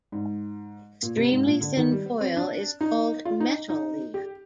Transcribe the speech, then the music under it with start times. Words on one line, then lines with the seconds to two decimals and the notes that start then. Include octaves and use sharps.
Extremely thin foil is called metal leaf.
0.12 G#2
1.03 A#2
1.17 C3
1.31 G#2
1.46 A#2
1.61 D3
1.77 D#3
1.92 G3
2.21 C4
2.37 D4
2.81 D#4
3.25 F4
3.40 D#4
3.69 D#4
4.14 G4